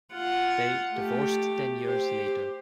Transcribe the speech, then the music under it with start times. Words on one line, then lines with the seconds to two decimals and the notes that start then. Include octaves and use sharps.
They divorced ten years later.
0.14 F4 F#5
0.94 A3 G4
1.81 G4 C5